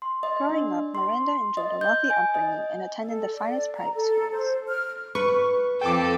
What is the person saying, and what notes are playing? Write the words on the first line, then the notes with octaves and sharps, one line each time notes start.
Growing up, Miranda enjoyed a wealthy upbringing and attended the finest private schools.
C6
D#5
D4
C6
D#5
G6
G#5
D#5
A4
D5
A#5
A4
C5
F6
B4 C#6
F2 A4 G5 D6